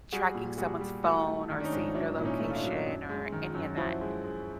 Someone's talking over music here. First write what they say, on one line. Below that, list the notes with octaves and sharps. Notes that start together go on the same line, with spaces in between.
tracking someone's phone, or seeing their location, or any of that.
G3 F#4 G#4
A#2
G3 F#4 G#4
G3
A3 E4 F#4
A3
D#3
D4
C#4 D#4
G#2
F#3 D4 E4
A#2 E4
C#4 D#4
A3
F4
D4 E4
F#3
F#2
G#3
D#3
F#2
F3 E4 F#4
G#3
G#3